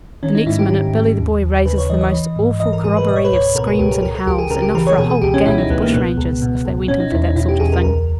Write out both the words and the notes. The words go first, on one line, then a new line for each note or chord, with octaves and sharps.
The next minute Billy the Boy raises the most awful corroboree of screams and howls, enough for a whole gang of bush-rangers, if they went in for that sort of thing.
D#3 C#4
D#4
G#2 E4
G4
D#3
G#2
D#2
D#2
C#3 B4
C#5
E3 D#5
D#5
E3
G#2
E3 D#5
A#4
G#2 G#4
B4
B2 D#5
C#5
B4
C#2 C#5
B2 A#4
G#4
C#2 G4
A#4
C#2 A#4
A#4
C#2 G4
G#4
C#3 A#4
G4
E3 A#4
C#5
B2 G#4
G#4
C#2 G4
C#4
B2 E4
D#4
C#2 B3
A#3
B2 B3
C#2
B2
C#2
B2 C#4
D#4
E2 E4
D#4
B2 E4
G4
E2 G#4
A#4
C#2 A#4